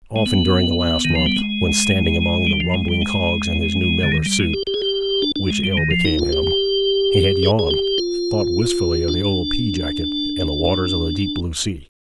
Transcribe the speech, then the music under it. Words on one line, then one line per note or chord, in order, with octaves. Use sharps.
Often during the last month, when standing among the rumbling cogs in his new miller's suit, which ill became him, he had yawned, thought wistfully of the old pea-jacket, and the waters of the deep blue sea.
G#3
B3
D#3
F3
G3
G#3
G3
F3
G#3
G3
G#3
D3
D#3
G3
G#3
G4
G4
G#4
G4
D4
D4
G#3
G3
D#3
F3
D#4
F4
G4
G#4
G#4
G4
F4
D4